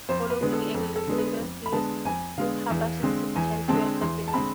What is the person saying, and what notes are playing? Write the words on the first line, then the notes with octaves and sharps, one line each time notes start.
Following Elixir Studios, Hassabis returned to academia.
F2 C5
B4
D3 G#3 B3
A4
F2 A4
A4
D3 G#3 B3
B4
F2
B5
D3 G#3 B3 A5
F2 G#5
D3 G#3 B3 F5
E2
D3 G#3 C4
E2 G#5
D3 G#3 C4 A5
E2 C6
A5
D3 G#3 C4 B5